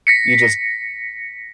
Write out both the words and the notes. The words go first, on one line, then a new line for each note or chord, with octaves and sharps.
you just
A#6 B6 C#7